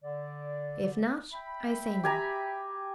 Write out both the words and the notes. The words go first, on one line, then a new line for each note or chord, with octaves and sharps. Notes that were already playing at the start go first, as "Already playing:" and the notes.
"If not, I say no."
D3 D5
E5 G5 B5
G4 G#5 A#5